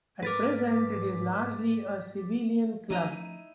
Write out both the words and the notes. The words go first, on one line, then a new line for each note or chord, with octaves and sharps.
At present, it is largely a civilian club.
G#2 A#4 B4 D6 A6 B6
F3 A3 C#4 D#4 E4 A#5 D#7